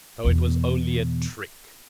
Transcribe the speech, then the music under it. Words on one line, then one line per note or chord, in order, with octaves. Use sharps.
So it was only a trick!
E2 B2